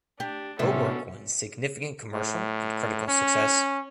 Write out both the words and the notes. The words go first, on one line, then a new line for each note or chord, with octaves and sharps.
Her work won significant commercial and critical success.
D4 G4
A2 C3 B3 C#4 D4 F#4 A4 E5
A2
C#4